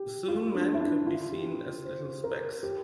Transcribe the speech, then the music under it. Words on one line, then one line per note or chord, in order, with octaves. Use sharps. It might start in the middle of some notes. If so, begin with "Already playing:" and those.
Soon men could be seen as little specks.
Already playing: G4
F4
D4
E4
D4
F4
G4
C5
A#4
G4